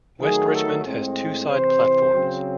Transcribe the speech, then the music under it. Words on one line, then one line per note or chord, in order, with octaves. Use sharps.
West Richmond has two side platforms.
D#3 F#3 A3 G#4
A4
A2 G#3 C4
C3 E3 C4 C5
C#3 F#3 C4